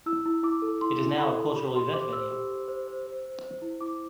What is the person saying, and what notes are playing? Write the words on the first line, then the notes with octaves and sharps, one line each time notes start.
It is now a cultural event venue.
E4 E6
E4
E4 D6
A4
E4 C6
E4
A4 B5
A4
G4 B5
G4 C6
C5 D6
C5 E6
G4
C5
C5
C5
C5
C5
C5
E4
E4 D6